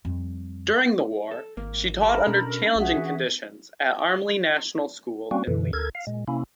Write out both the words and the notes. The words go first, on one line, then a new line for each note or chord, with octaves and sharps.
During the war she taught under challenging conditions at Armley National School in Leeds.
F2 G3
A4
G#1 A#3
G3 G4 A4 A#4 E5 B5
B2 C#4 D4
B1 F#4 G#4 E5
E3
G3 A#3 C4 C#4 F#4
F#2 B2 D3 E3
D2 A4 A#4 G#6
F5
A#2 G#3
C3 A#3 C#4 E4